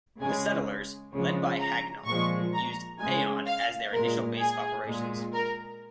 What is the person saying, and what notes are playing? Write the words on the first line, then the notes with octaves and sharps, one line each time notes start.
The settlers, led by Hagnon, used Eion as their initial base of operations.
C#3 G#3 G#4
C#3 F3 G#3
A#5
A#2 F3 G#3 C#6
A#5
C#3 G#3 G#5
F5
A#2 G#3 A#4
G#4
A#2 G#3
A#4